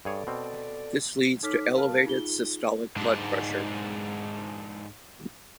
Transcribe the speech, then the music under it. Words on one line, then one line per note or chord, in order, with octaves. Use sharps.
This leads to elevated systolic blood pressure.
G2 G#4 A4 C#5 D5
B2 C4
D#4 A4 C#5 D6 F6 B6
A#4 F5 A5 F6
D#4 F4 G#4 G7
G#2 D4